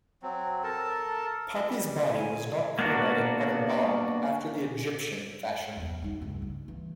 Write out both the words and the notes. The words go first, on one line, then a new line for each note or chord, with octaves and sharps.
Poppaea's body was not cremated but embalmed, after the Egyptian fashion.
F#3 C4
A4 A#4 A5
G3
G#5
A#3 B3 D4 F#4 A#4
E2 F#3
G3 D#4
C#2 G2
G3
E3